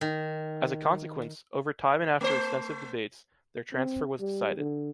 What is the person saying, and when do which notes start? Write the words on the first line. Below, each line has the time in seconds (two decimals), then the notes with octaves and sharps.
As a consequence, over time and after extensive debates, their transfer was decided.
0.01 D#3
2.21 A3 C5
3.73 C4
4.21 G3
4.58 D3